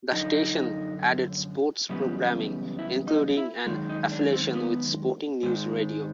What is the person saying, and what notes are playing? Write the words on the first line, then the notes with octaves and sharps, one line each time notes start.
The station added sports programming, including an affiliation with Sporting News Radio.
F#2 D3 F3 D#4
F#2 C#3 E3 G3 B3
E4
D#4
E4
F#2 D#3 G#3
D#4
D4
C4
B3
G#2 D#3 G#3